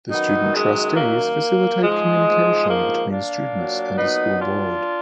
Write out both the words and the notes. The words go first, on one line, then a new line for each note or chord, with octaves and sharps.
The student trustees facilitate communication between students and the school board.
F#2 D#3 F#3 B3 D#4
G#3
A#3
G#2 F3 G#3
A#3
A#3 D4
A#2 F#3
B3 D#4
D4 F4